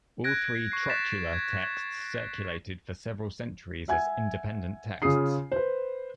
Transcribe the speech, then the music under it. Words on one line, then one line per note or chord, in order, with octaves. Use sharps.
All three "Trotula" texts circulated for several centuries as independent texts.
F#6 G#6 A#6 D7
C#6 C7
F#6 A6 B6 E7
G#6
E5 F#5 G#5 G#6
C#3 C#4 F4 G#4 D#6 C7
B4 C5